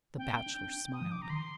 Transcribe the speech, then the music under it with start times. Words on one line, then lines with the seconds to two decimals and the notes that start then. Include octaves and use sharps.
The Bachelor smiled.
0.18 C4 G5
0.46 D4
0.63 D4
0.93 D#6
1.01 F3
1.11 D6
1.22 A#5
1.30 D#3 C6